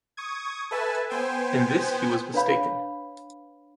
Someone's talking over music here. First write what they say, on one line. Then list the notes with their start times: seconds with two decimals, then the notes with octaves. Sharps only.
In this he was mistaken.
0.17 C#6 D#6 G#6
0.71 A4 B4 E5 G#5 A5
1.10 B3 C5 G5 G#5
2.34 D4 B4 C#5 F5 B5